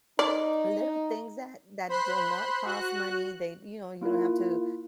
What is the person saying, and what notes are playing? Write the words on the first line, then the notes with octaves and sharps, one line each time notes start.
Little things that that do not cost money, they you know, you don't have to
D#4 D5
C5 B5 C6 F#6
F#4 F#6
A#3 E4 F4 A#4